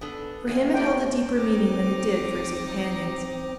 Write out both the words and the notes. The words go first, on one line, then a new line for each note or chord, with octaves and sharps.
For him it held a deeper meaning than it did for his companions.
B3 D4 A4
F#3 A3 C#4
C3 D5 G5
C4 D#4 D6